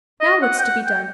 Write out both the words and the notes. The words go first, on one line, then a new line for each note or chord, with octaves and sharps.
Now what's to be done?
D#5
F#5
G5
F#5
G5